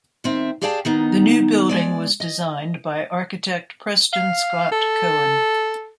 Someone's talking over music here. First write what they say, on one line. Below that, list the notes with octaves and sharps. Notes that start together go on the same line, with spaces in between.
The new building was designed by architect Preston Scott Cohen.
D#3 C4 E5
G4 G#4 D5 F5 G5 A5
D#3 B3 D#4
G#3 D5
D#5
F5
A4